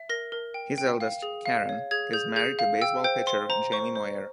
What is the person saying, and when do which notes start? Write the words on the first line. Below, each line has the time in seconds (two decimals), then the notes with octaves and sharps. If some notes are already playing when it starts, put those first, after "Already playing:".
His eldest, Karen, is married to baseball pitcher Jamie Moyer.
Already playing: E5
0.09 A#4 A#6
0.32 A#4
0.54 G5
0.78 G5
1.00 F5
1.22 G#4
1.46 F5
1.69 C#5
1.91 G#4 G#6
2.13 G#4 G6
2.36 G#4 G6
2.59 F5
2.81 G5 E6
3.04 C5 G5
3.27 C5 C6
3.50 C5 A#5
3.72 C5 C#6
3.96 C5